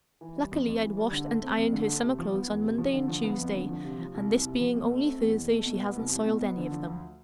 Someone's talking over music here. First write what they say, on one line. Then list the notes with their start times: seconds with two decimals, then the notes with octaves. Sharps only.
"Luckily I'd washed and ironed her summer clothes on Monday and Tuesday, and this being only Thursday, she hadn't soiled any of them."
0.21 E3
0.36 G3
0.51 F2
0.67 F2
0.82 E3
0.97 G3
1.11 D3
1.27 A3
1.42 C4
1.57 F2
1.72 D3
1.87 A3
2.03 C3
2.18 F3
2.33 B3
2.48 E2
2.64 C3
2.78 F3
2.93 D3
3.08 F3
3.24 B3
3.38 F2
3.54 D3
3.69 F3
3.84 C3
4.00 F3
4.14 C2
4.30 C2
4.45 C3
4.60 F3
4.75 B2
4.90 A3
5.05 C4
5.20 E2
5.35 B2
5.51 A3
5.66 B2
5.81 B3
5.96 C2
6.11 C2
6.26 B2
6.41 B3
6.57 D3
6.71 F3
6.87 D2